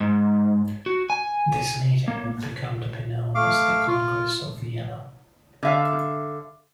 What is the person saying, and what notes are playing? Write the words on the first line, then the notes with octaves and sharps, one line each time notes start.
This meeting would become to be known as the Congress of Vienna.
G#2
F#4
G#5
A#3
A3 F5 D6
F4
D3 E5 F5